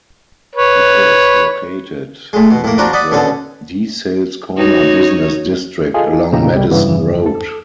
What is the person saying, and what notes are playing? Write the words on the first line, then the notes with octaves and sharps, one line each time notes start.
It is located in the DeSales Corner business district, along Madison Road.
B4 C#5
A2 G#3
B2
A2 A#3
F3 D4 F#4 G4 A#4
D5 D#5 F#5 B5
B2 D3 C#4 A4
D#4 F#4 C#5
F4 G#4 A4 D#5 G#5
A#2 C#3 A3 D#4 G4 A#5
C2 G3
G2 C#3 E3 B3
A4